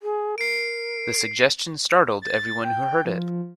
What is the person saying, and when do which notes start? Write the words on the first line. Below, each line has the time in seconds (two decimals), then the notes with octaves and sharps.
The suggestion startled every one who heard it.
0.02 G#4
0.38 A#4 C7 D7
2.22 A6
2.64 G5
3.05 F3